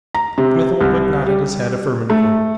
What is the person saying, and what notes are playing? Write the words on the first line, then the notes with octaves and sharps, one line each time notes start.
Smith-Oldwick nodded his head affirmatively.
A#5
C3
C2
G3
A3